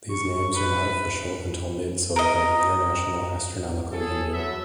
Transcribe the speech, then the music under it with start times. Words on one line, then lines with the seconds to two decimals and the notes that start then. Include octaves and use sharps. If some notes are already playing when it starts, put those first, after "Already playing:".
These names are not official until made so by the International Astronomical Union.
0.11 C#6
0.56 B4
2.16 A#4 D#5
3.91 F#3 G#4 A4
4.33 F#3 A4 B4 E5